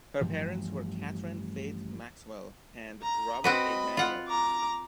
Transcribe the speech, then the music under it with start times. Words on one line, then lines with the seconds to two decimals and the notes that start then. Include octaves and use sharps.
Her parents were Catherine Faith Maxwell and Robert A. Daniel.
0.21 A1 G2 F3
3.02 A#5
3.44 C4 F#4 B4 D#5 B5
3.97 F4 F#5
4.28 A#5 D6